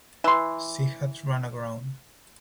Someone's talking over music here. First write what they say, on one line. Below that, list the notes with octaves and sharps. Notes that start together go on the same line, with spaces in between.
She had run aground.
E3 C6